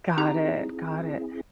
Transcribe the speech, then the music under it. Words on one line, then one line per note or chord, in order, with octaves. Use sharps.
Got it. Got it.
C4 D#4 E4 G4 G#4 A#5